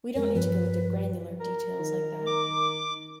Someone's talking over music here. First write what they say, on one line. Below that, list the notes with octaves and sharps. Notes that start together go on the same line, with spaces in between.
We don't need to go into granular details like that.
F2 G#3 A#4
G2 F3 B4
A#4
D#3
D6